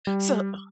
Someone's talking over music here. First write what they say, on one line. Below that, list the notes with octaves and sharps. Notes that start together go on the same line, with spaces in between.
So, oh
G3